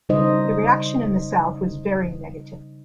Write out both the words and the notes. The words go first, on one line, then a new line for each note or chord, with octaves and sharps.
The reaction in the South was very negative.
C#3 G3 D#4 C5 D#5